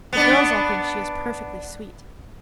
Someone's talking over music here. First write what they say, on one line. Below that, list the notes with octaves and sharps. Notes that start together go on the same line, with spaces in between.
The girls all think she is perfectly sweet.
B3 D4